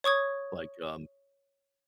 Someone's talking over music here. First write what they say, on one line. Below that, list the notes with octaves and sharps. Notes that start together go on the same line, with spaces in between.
Like, um
C#5 C#6 D#6 G#6